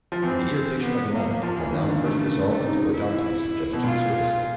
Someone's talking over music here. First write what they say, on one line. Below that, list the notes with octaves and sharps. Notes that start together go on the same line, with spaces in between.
In the irritation of the moment, I now first resolved to adopt his suggestion seriously.
F3
E3 C4
B3
A#3
F3 A#3
E3
D#3
D3
C#3 A3
C#3
C3 D#4
E4
B2
A#2 F4